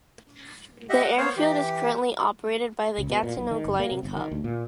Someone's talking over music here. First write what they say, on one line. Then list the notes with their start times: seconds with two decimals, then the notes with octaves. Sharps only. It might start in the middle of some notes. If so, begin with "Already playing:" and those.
The airfield is currently operated by the Gatineau Gliding Club.
0.89 G4 D#5 E5 F#5
1.04 F#5
1.18 A#3 B3 C5 C#5 F5
1.37 E3 G4
2.99 C#2
3.10 B2
3.24 A#2
3.37 B1
3.51 D#3
3.65 F#1
3.79 A#3
3.91 C3
4.03 G1
4.16 D#3
4.31 D2
4.44 A#2